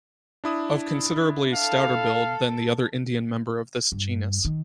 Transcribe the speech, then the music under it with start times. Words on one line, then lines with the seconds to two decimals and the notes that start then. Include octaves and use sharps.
Of considerably stouter build than the other Indian member of this genus.
0.44 D4 E4 D#6
1.53 A4 F5
3.92 G2
4.45 D#3